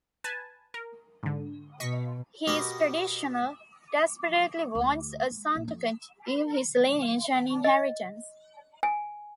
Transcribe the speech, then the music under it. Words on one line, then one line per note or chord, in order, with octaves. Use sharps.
He is traditional, desperately wants a son to continue his lineage and inheritance.
B4 G#5 A5
A#4
G#2 D3
B2 D#5 C#6 B6
B2 B3 G4 A#4 C#5 D#5
D2
G#3
A#1
F2
D#5
G#5